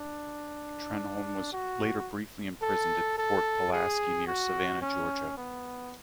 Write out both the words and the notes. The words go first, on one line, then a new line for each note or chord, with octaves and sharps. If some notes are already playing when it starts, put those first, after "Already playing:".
Trenholm was later briefly imprisoned at Fort Pulaski near Savannah, Georgia.
Already playing: D4
F#4
A4
A4
G#4
F#4
C#4
B3